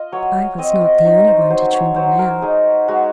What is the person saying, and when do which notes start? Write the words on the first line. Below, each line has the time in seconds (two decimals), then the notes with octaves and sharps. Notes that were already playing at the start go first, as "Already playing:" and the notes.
I was not the only one to tremble now.
Already playing: F4 D#5
0.12 F#3 C#5
0.58 C4 D#5
0.81 D#5
1.05 D#4 C#5
1.27 C5
1.50 F#3 C5
1.73 C#5
1.96 F#3 C5
2.19 A#4
2.42 D#4 G#4
2.88 G#3 F#4